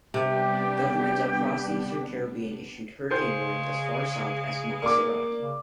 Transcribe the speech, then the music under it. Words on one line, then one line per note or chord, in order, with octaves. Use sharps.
Governments across the eastern Caribbean issued hurricane warnings as far south as Montserrat.
C3 G3 B3 D4 G4
C#3 G#3 C5 C6 G6
A#3 D5 D6
C#3